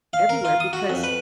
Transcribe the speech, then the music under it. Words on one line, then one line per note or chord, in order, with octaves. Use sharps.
everywhere? Because
F5
A#4
F4
D#6
F#4
F2
B4